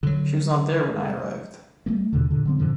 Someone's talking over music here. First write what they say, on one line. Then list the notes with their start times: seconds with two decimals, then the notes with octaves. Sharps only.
She was not there when I arrived.
0.03 D3 F#3
1.86 G3 A3 A#3
2.13 D#2 B2 D3
2.30 A#2 D3
2.45 D3 F#3 C4
2.59 F#2 A#2 D3 F3